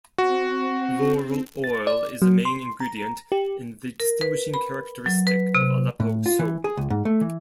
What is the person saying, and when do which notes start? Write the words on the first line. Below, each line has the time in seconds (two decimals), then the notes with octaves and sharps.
Laurel oil is a main ingredient, and the distinguishing characteristic of Aleppo soap.
0.18 C4 F#4
1.64 A6
1.87 D5
2.22 F#3
2.45 C6
2.80 A#5
3.32 G4
4.00 A#4
4.21 B4
4.54 B5
5.06 F#3
5.27 B4
5.55 C3
6.00 A2
6.26 F4
6.39 E3
6.64 G#4
6.77 C#2
6.90 G#2
7.05 A3
7.21 E3